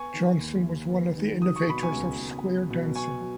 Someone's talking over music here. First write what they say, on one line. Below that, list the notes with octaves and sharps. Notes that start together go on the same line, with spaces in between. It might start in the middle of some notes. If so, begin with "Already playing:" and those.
Johnson was one of the innovators of square dancing.
Already playing: B3 G#5 C#6
D#3
D#2
D#2
B3
D#3
F#3 D#6
C#6
B2 B5
G#5 C#6
C#2
C#2
F#3
B2
B3 G#5 C#6
F#3